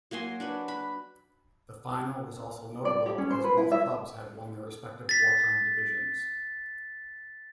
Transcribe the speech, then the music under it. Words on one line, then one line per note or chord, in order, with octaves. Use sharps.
The final was also notable because both clubs had won their respective wartime divisions.
F#3 A#3 G#5 C6
D4 F#4 B4
B5
D5
G4
C#4
C5
B4
E4
E5
A6 B6